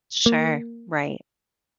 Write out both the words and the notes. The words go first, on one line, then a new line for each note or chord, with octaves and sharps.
Sure, right.
A#3